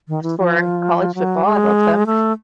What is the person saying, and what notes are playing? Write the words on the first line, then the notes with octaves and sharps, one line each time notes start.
for college football; I love them.
D#3
E3
F3
F#3
G#3
A3